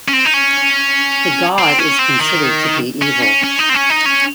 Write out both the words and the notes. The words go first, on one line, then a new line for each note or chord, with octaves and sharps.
The God is considered to be evil.
C#4
C4
D#4
C#4
C4
C#4
C4
D#3
C#4
C#4
C#4
D#4
C4
C#4
D#4
C#4